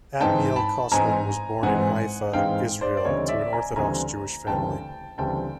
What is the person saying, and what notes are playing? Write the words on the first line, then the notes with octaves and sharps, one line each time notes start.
Admiel Kosman was born in Haifa, Israel to an Orthodox Jewish family.
G#2 E3 G#3 C4 D#4 G5 A5
A5 B5
G#2 E3 G#3 C4 D#4 G#5 A#5
G#2 E3 G#3 C4 D#4 F#5 G#5
G#2 E3 G#3 C4 D#4 F5 G5
C5 D5
D5
D2 C#3 E3 G3 C4 C#5 D#5
D5 E5
G#5 A#5
D2 C#3 E3 G3 C4 G#5 A#5
D2 C#3 E3 G3 C4 G5 A5
D2 C#3 E3 G3 C4 G5 A5